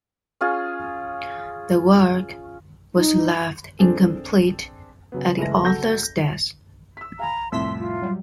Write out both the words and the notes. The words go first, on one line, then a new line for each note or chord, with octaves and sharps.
The work was left incomplete at the author's death.
C#4 F4 G#4
D#4
C4 D4 G#4 A4
C#3 F#3 B3
F#1 E3 G#3 A3 A#6
F#1 F#4 A4 G6 A#6
E6 B6
F5 G#5 A#5 B5
C2 F2 A2 C6 E6 B6
F4
F#3 G3